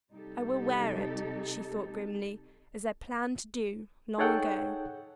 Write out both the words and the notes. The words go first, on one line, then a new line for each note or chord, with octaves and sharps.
"I will wear it," she thought, grimly, "as I planned to do, long ago."
C3 G3 D#4 G4 A4
D#4 G#4 A4 C#5 F#5 G5